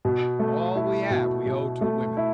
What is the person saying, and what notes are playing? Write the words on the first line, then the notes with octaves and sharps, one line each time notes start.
All we have we owe to women.
B2
A3
E4
B2
B2
A3
E4